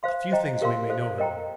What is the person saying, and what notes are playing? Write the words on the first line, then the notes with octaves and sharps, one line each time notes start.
A few things we may know, however.
C5 F5 C6
C5 D#5 G5 A#5
G4 A#4 F5 C6
A4 C5 F5
A#4 D#5 G5 A#5